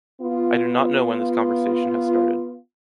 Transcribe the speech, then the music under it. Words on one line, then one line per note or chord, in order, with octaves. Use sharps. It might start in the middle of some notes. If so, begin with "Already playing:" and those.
I do not know when this conversation has started.
B3 F4